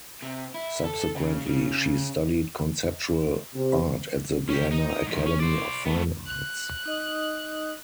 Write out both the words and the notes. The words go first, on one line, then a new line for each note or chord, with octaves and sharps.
Subsequently, she studied conceptual art at the Vienna Academy of Fine Arts.
C3
E4
A4
C#3
C#3
C3
C#4 G4
D#4 D#5
E2 G#2
C#4
C5 D5
A3 B3
F#6
D#4 D#5 D#6